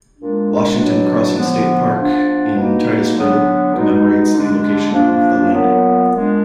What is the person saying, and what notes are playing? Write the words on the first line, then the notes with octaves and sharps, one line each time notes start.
Washington Crossing State Park in Titusville commemorates the location of the landing.
A#2 G#3 D4
B2 F#3 D4
D3 F3 B3
F3 B3 D4
B2 A#3 D#4
D3 F#3 B3 D4
B2 G#3 D#4
D3 G#3 D4
F3 A#3 D4
A#2 F#3 B3
A#2 G#3 D4